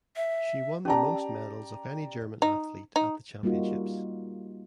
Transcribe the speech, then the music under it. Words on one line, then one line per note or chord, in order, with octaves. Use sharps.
She won the most medals of any German athlete at the Championships.
E5
C#4 G4 D5 A5 A#5
D#4
D#4
G3 A#3 D#4 F4 F#4